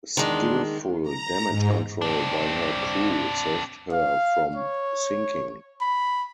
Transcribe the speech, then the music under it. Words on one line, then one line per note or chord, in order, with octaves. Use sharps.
Skillful damage control by her crew saved her from sinking.
E2 D#3 G#3 D4 C6
A#5
G#2
C4 D4
F5
C#5
B5